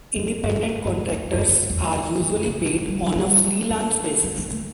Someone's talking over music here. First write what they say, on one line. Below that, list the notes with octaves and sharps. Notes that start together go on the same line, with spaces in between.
Independent contractors are usually paid on a freelance basis.
F#2
G2
E2
G2
A2
E2
E2
G2
F#2
G2
F#2
E2
F#2
E2
F#2
F#2
C3
E3
F#3
G3
F#3
G3
D4
C4
C4
A3